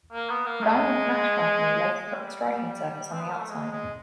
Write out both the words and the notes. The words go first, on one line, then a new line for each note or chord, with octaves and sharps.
The diamond match company later put the striking surface on the outside.
A#3
B3
A#3
G#3
G#3
G3
C4
B3
A#3
A3
G#3
G#3